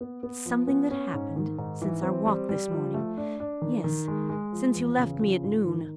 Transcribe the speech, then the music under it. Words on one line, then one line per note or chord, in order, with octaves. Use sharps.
It's something that happened since our walk this morning--yes, since you left me at noon.
B3
B3
F3
B3
C#4
G#2
D#3
G#2
E3
C4
G3
G3
F3
A3
D4
D4
D#3
D#3
G#3
G#3
F3
E2
C#3
F3
G#2
D#3